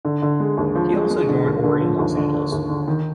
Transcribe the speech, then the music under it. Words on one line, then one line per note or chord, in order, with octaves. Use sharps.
He also joined Ory in Los Angeles.
D3
D3
G#3
D#2
F3
G#3
G#3
D3
D#2
D3
F3
D#2
D3
D3
D#2
D3
D#3